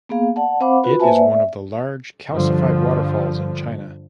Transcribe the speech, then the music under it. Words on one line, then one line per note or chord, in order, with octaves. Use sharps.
It is one of the large calcified waterfalls in China.
A#3 B3 G#4 F5
D5 F#5 A5
C4 C5 F5 F#5 B5 D6
F4 F#4 B4 B5
A#3 B4 C5 E5 G#5 A5
D5 E5
G2 D3 F3